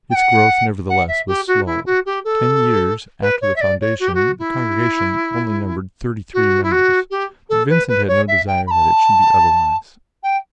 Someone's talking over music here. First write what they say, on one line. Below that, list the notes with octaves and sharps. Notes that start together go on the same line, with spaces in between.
Its growth, nevertheless, was slow; ten years after the foundation the Congregation only numbered thirty-three members; but Vincent had no desire that it should be otherwise.
G5
F#5
F#5
E5
G4
F#4
E4
F#4
G4
A4
B4
C#5
E5
D5
C#5
F#4
G4
F#4
E4
F#4
E4
F#4
G4
A4
B4
B4
C#5
E5
G5
B5
A5
G5